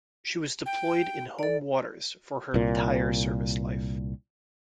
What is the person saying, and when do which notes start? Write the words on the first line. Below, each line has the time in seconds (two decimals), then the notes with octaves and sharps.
She was deployed in home waters for her entire service life.
0.66 G5
1.39 A4 D5
2.54 C2 A#2